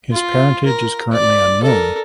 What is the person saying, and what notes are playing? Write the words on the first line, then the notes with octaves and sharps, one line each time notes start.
His parentage is currently unknown.
F4
A#4
D5
A4 A#4